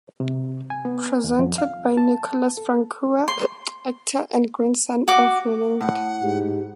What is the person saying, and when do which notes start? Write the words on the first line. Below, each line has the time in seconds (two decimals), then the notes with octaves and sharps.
Presented by Nicholas Frankau, actor and grandson of Ronald.
0.20 C3
0.70 G#5
0.85 B3
1.24 D#2
1.39 F2
1.58 F5
1.97 A5
2.57 A4
3.28 C6
5.08 F#4 D6
5.81 A2 F#5
6.22 G#2 G4